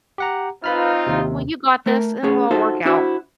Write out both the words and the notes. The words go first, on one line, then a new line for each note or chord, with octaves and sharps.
Yep. Well, you got this. It'll all work out.
G4 F#5 A#5
C4 D#4 F4 B4 B5 F6
D#2 C3
A3 A#4
A3 B3 C#4 G#4 C#5
D#4 F4 F#4 A4 C5 E5
D4 E4 F#4 C5 E5